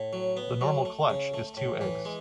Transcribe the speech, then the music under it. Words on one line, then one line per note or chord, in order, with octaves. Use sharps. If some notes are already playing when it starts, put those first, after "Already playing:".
The normal clutch is two eggs.
Already playing: A2
F#3
B3
F#3
A3
C#3
A3
A2
E3
G#3